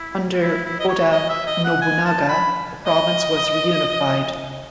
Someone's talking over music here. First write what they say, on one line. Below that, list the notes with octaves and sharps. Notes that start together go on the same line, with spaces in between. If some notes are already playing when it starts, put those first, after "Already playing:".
Under Oda Nobunaga, the province was reunified.
Already playing: E4
E4
E4
D#5
C#5
D#5
E5
D#5
F#5
G#5
A5
B5
D#5